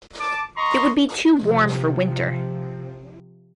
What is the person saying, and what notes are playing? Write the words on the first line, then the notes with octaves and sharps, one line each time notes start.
It would be too warm for winter.
A5 D6
D#5 A#5 C6 C#6
C3 F3